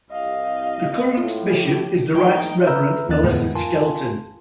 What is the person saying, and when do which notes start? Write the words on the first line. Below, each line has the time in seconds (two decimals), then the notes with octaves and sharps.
The current Bishop is the Right Reverend Melissa Skelton.
0.11 C2 D#5 F5
1.17 A2 F4
1.55 F3 G4
2.15 A2 C3 F3 B3 D#4 G5
2.67 B4 E5 A#5 E6 F6 G6
3.09 D#2 E3 C#4 D#5 F#6 A6
3.23 F2 A2 D3 G#3 B3
3.55 F4 A#4 G#5 A5 C6